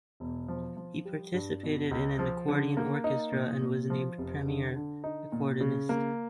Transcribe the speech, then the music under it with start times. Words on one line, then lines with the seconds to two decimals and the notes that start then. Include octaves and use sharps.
He participated in an accordion orchestra and was named "premier" accordionist.
0.20 E1
0.48 F3
0.77 F3
1.05 G3
1.34 G2
1.63 B2
1.91 C#2
2.19 F3
2.48 D3
2.77 A#3
3.04 D#4
3.33 A#2
3.61 A#2
3.90 F3
4.18 F1
4.46 D3
4.75 D3
5.04 D#4
5.32 A#2
5.61 C#3
5.89 A#3